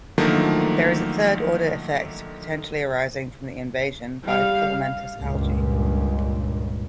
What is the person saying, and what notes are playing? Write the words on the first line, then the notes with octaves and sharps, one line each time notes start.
There is a third-order effect potentially arising from the invasion by filamentous algae.
D3 D#3 F3 F#3 A3 A#3
G3 F5
C#2 G2 A#2